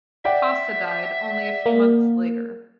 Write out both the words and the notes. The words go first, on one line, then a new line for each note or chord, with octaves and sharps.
Cossa died only a few months later.
D5 E5 F#5 G5
A#3